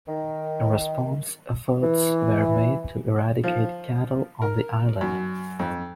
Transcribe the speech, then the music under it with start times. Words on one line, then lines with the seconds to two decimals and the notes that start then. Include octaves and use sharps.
In response, efforts were made to eradicate cattle on the island.
0.08 D#3
1.82 E3
3.44 F3
4.42 A#4
5.01 F#2
5.59 F2